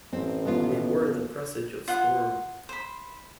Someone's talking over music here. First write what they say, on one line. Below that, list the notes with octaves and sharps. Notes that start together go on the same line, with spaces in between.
They were the presage of storm.
A1 C4
D#2 B3 F4
F4 F#5
C5 B5